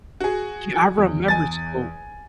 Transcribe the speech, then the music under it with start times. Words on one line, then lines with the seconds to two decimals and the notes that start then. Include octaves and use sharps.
Yeah, I remember so
0.20 F#4 G#4
0.98 E2
1.28 G#5 A6